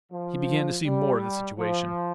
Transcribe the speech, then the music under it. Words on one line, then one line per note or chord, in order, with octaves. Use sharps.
He began to see more of the situation.
F3
G3
F3